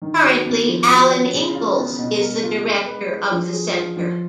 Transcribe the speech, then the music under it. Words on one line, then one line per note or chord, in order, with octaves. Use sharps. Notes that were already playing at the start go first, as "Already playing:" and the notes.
Currently Alan Inkles is the director of the center.
D#3
F#4
B3
F3
F#4
C#4
C#3
F4
B3
B2
A#4
F4
G#3
B4
G#4
F3
G#4
F4
F3